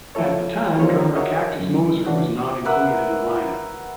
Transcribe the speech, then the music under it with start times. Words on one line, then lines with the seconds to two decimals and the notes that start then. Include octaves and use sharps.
At the time, drummer Cactus Moser was not included in the lineup.
0.15 F3 A3 E4 A4 C#5
0.80 F3 G3 A#3 C4 G#4 C#5
1.15 F#4 G#4 A#4 C#5 D#5 E5
1.60 F#2
2.07 C#3 E3 D4 F#4
2.65 A#4 B4 E5 F#5